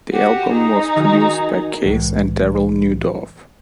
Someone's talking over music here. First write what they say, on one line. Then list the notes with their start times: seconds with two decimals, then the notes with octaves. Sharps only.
The album was produced by Case and Darryl Neudorf.
0.12 F#4 G4
0.53 D#4 G#4
0.96 D#3 F#4
1.84 C2 A2 E3 G#3